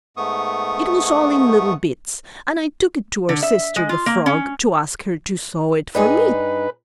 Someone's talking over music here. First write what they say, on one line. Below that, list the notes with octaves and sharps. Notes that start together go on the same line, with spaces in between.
'It was all in little bits, and I took it to our sister the frog to ask her to sew it for me.
G#2 A3 B3 C#6 D#6
D3
E5
G#3
F4
A#3
C#4
G2 D#4 G#4 B4